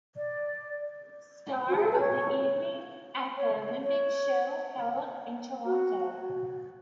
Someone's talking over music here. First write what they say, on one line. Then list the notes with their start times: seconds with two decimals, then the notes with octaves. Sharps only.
Star of the evening at the Olympic Show held in Toronto.
0.17 D5
1.69 F#4
1.76 G#4
1.84 A4
1.92 B4
2.00 C#5
3.37 C#5
3.83 C#5
5.66 F#4